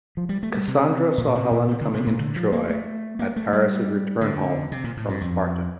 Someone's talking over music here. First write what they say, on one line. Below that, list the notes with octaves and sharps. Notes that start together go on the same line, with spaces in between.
Cassandra saw Helen coming into Troy at Paris' return home from Sparta.
F3
G3
A3
G3
C3
A#2
C3
A#2
C3
D3
C3
A#2
D3
F3
A#3
A3
A#3
A3
G3
D3
C3
A#2
A2
G2
F2